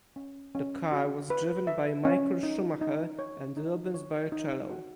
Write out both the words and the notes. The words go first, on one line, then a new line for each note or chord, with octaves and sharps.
The car was driven by Michael Schumacher and Rubens Barrichello.
C#4
C#4
F#4
B4
E5
C#4
D#4
D#4
C#5
D#4
C#5
D#4
F#4